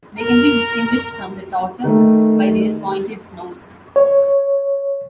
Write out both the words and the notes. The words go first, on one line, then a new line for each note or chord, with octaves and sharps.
They can be distinguished from the tautog by their pointed snouts.
A#4
D#3 A3
C#5